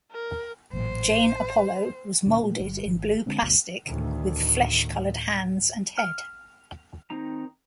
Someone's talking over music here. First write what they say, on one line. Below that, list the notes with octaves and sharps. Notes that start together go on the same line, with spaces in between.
Jane Apollo was molded in blue plastic with "flesh" colored hands and head.
A#4
A1 A#2 F#3 C5
D2 A#2 D3 C#4
A#2 A3 A#3
G1 G3
G#1
D3 G#3 C4 D4
G1 D2 B2
D2 A2 D#3
F6
D#3 C4 D#4 A#5